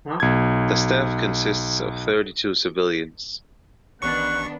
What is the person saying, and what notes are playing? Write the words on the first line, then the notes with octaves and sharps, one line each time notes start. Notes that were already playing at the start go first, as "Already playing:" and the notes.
The staff consists of thirty-two civilians.
B1 G#6
A1 D#3 B3 D4 C#6 F#6 C#7